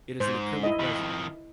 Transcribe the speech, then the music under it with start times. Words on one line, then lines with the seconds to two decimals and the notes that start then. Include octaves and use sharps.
It is an acrylic resin.
0.20 G#2 C5
0.63 E4 D#5
0.79 F2 D#3 B5